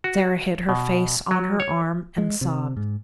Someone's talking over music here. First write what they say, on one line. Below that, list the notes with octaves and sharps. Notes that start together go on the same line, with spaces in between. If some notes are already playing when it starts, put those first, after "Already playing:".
Sara hid her face on her arms and sobbed.
F#4
B2
F#3
C#5
G#3
C3
G#2